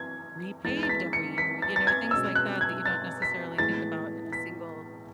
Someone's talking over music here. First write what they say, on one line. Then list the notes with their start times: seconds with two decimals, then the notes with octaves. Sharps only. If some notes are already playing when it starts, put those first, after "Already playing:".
repaved every year," you know, things like that, that you don't necessarily think about in a single-unit
Already playing: E3 G#6
0.64 E3 G#3 B3 A6
0.83 A6
0.89 B6
1.13 C#7
1.38 B6
1.62 A6
1.76 A6
1.87 G#6
2.11 B2 G#3 C#4 E6
2.35 F#6
2.61 G#6
2.86 A6
3.22 B6
3.58 A2 E3 G#3 B3 A6
4.33 B6